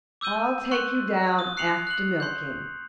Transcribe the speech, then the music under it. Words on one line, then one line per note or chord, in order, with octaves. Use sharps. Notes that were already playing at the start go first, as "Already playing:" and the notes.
"I'll take you down after milking."
D6 E6 G6 D#7 G7
C6 C#6 F#6 F#7
D#6
F#6 C7 C#7 F7 F#7
F#6 F#7
C6 G6